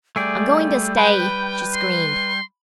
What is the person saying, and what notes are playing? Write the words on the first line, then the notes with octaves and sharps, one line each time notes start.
"I'm going to stay!" she screamed.
G3 A3 G#4 D5
B4 G5 B5
C6